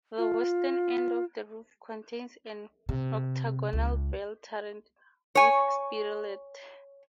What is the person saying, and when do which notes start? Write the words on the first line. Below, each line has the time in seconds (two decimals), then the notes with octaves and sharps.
The western end of the roof contains an octagonal bell turret with spirelet.
0.18 F4
2.89 C3
3.73 C#2
5.35 C#5 G#5